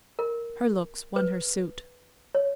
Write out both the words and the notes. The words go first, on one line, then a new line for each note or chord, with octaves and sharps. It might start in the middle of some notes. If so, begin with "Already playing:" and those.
Her looks won her suit.
A#4
B4
C#5